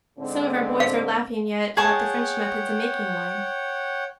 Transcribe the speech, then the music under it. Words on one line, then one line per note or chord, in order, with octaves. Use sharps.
Some of our boys are laughing yet about the French methods of making wine.
G#2 D3 C4
F5
G#4 C#5 F#5 G5 A5 C#6